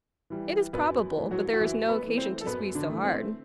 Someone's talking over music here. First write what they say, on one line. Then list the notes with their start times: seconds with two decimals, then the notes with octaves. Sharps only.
"It is probable; but there is no occasion to squeeze so hard."
0.30 E3 G3
0.73 F#2 B3 B4
1.16 E3 A3
1.31 F#3 F#4
1.53 F#4
1.60 F#2 E3 E4
1.88 B3 B4
2.03 E3 A3
2.18 C4 C5
2.41 A4
2.46 F#2 B3 B4
2.75 D3 D4
2.90 E3 A3
3.04 C4